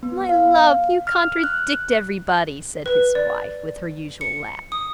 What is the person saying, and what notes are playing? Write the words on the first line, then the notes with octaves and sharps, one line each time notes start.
"My love you contradict every body," said his wife with her usual laugh.
B3
F5
F6
F#6
B4
D5
C#7
D#6